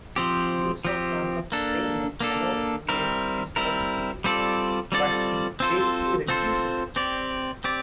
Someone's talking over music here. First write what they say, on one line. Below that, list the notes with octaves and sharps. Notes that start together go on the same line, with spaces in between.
The use of random assignment cannot eliminate this possibility, but it greatly reduces it.
F3 C4 G4
F3 C4 G4
A#3 D4 A4
A#3 D4 A4
G3 C4 E4 A#4
G3 C4 E4 A#4
G3 C4 F4 A4 D5
G3 C4 F4 A4 D5
C4 F4 A4 C5
C4 F4 A4 C5
C4 G4 D5
C4 G4 D5